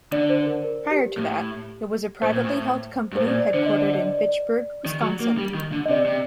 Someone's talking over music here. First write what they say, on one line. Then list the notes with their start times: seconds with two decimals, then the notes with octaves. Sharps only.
Prior to that it was a privately held company headquartered in Fitchburg, Wisconsin.
0.12 D3 D5
0.30 C5
0.47 A#4
0.64 A#4
0.91 G4
1.17 A2
2.22 A2 C5
2.33 A#2
2.44 A2
3.12 G2
3.17 A2 C5
3.27 A#2 D5
3.40 D5
3.54 D3 C5
3.66 D#5
3.80 D5
3.93 D#5
4.06 D5
4.19 D5
4.86 D#3
5.02 F#3
5.21 A#3
5.38 G3
5.54 D#3
5.72 D3
5.86 D#5
5.90 C3 D5
6.06 C3